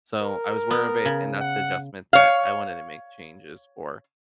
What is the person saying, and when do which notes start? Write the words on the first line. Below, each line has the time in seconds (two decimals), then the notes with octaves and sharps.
So, I was aware of it, and that's the adjustment that I wanted to make changes for
0.22 A#4
0.71 B3
1.05 C#3
1.40 F#5
2.13 C#5 F5